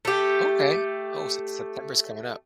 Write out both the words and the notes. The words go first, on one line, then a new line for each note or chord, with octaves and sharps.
Okay. Oh, Sep September's coming up.
A3 G4